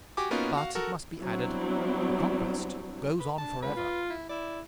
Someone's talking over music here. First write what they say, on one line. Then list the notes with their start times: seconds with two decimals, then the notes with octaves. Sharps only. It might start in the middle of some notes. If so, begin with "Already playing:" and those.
But, it must be added, the conquest goes on forever.
0.17 F#4 G4 G#5 D6
0.31 A#3 B3 C#4 D#4 F4 F#4
0.54 F#4 F5
0.75 F#4 A4 A#4
1.18 F#3 G3 B3 C4 D4 E4
3.20 B4
3.38 D4 A5
3.62 C#2 B4
3.76 F4
4.10 E4
4.29 E4 D5